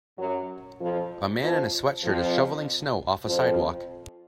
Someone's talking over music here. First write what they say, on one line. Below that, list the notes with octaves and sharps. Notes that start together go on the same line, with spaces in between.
A man in a sweatshirt is shoveling snow off a sidewalk.
F#2 F#3
F2 F3
F2 F3
F2 F3
F2 F3